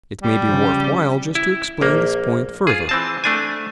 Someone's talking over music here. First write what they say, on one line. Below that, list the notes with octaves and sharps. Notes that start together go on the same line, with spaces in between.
It may be worth while just to explain this point further.
G3
C#3 F3
E4
A#1 A#3
F4 G#4
E3 C4 A5
A3 D4 G#5